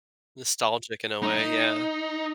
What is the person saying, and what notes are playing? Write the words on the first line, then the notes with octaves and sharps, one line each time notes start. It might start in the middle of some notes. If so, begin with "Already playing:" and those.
Nostalgic in a way, yeah.
D#4